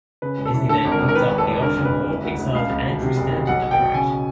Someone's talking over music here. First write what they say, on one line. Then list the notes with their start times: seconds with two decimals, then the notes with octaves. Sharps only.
Disney then picked up the option for Pixar's Andrew Stanton to direct.
0.22 C#3 B4
0.38 E1
0.45 A4
0.54 E3
0.69 D3 A4
0.85 G#1
0.92 A#4
1.00 G#1
1.08 A#4
1.15 D#3 B4
1.31 E1
1.38 A4
1.46 E1
1.62 D3 A#4
1.77 F#1
1.85 B4
1.93 F#1
2.08 E3
2.24 D2
2.39 D2
2.54 C#2 F5
2.70 C#2
2.86 B2
3.02 C3
3.16 F#1
3.32 D#3
3.47 B1 F#5
3.63 B1
3.71 G5
3.79 B2
3.94 C#3 G#5